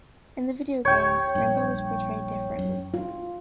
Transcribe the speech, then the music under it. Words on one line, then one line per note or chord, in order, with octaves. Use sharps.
In the video games, Rainbow is portrayed differently.
D1 C#5 G5
A#1 G2
F#2
F4